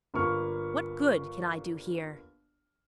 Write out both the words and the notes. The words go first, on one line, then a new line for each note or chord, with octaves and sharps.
What good can I do here?
G1 A#3 F4 B4 C#6 F6